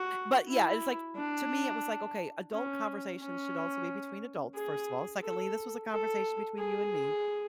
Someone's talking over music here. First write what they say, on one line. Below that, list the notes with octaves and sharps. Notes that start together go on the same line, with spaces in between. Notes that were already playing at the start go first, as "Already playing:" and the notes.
but, yeah, it's like, to me, it was like, okay, adult conversations should also be between adults, first of all. Secondly, this was a conversation between you and me
Already playing: F#4
E4
D4
C#4
C#4
G#4
A4
A4
G#4